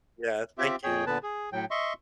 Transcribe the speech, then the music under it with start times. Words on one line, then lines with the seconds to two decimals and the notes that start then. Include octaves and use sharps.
Yeah, thank you.
0.58 C4 F4 G4 E5
0.84 F2 G#4 C#5 G5
1.06 A#2 D3 B3 B4 A5
1.23 G#4
1.53 A2 F#3 G5
1.71 D#5 E5 C6 C#6